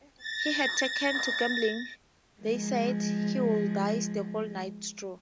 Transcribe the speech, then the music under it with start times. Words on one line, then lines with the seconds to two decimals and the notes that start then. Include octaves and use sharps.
He had taken to gambling, they said; he would "dice the whole night through".
0.17 A6 A#6
2.42 F3 G#3